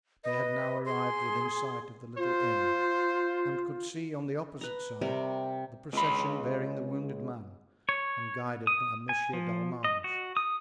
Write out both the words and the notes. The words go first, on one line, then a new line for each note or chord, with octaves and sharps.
They had now arrived within sight of the little inn and could see on the opposite side the procession bearing the wounded man and guided by Monsieur d'Arminges.
B4 D#5
G#4 C6
F4 C5
B4 A#5
C3 G3 A#4
C#2 B5
C#5
D#6
G#5
F3
D#5
F#4
D#6